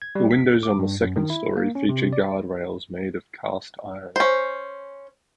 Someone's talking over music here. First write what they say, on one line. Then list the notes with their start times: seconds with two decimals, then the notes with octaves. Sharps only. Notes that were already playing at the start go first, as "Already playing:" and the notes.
The windows on the second story feature guard rails made of cast iron.
0.02 G#6
0.15 G3
0.31 B6
0.63 D6
0.79 G2
1.01 F#2
1.16 D#3
1.30 E4
1.57 A#3
1.75 C#4
1.89 C3
2.13 D5
4.16 C#4 C5